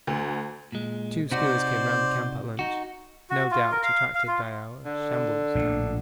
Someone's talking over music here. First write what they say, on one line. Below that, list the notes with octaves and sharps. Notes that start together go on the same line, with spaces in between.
Two skuas came round the camp at lunch, no doubt attracted by our 'Shambles' camp.
D2
A#2 G#3
C3 D#4 F#4 C5 D5
D#4 F#4
F#4
F4
A#4
F5
F5
F4
D3
A#1 A2